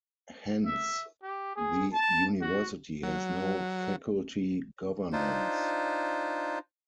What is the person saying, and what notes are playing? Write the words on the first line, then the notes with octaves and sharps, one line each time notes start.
Hence the university has no faculty governance.
E5
G4
G#4
A5
F#4
F#3
D4 D#4 F4 C5